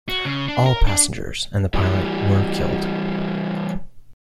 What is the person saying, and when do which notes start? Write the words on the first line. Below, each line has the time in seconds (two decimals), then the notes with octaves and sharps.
All passengers and the pilot were killed.
0.09 F#4
0.25 C#3
0.48 D4
0.66 A#4
0.87 D4
1.74 E3 G3